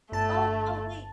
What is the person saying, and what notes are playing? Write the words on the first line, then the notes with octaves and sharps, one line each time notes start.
Oh, oh, wait.
G1 A3 A5